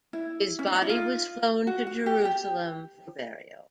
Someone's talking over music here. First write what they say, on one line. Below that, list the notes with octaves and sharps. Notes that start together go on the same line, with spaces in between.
His body was flown to Jerusalem for burial.
E4
C#4
D4
D#4
E4
F4
F#4
F#4
G4
G4